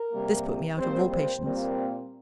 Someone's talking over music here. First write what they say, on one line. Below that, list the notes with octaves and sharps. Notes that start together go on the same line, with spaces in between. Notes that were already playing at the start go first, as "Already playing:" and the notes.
This put me out of all patience.
Already playing: A#4
C3 G3 A#3
A#2 G3 A#3 C4 C5
C4 C5
A#2 G3 A#3 C4